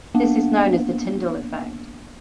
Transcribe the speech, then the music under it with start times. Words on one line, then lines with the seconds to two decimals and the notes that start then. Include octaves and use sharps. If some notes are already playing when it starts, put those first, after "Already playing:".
This is known as the Tyndall Effect.
0.15 A#3 B3 D4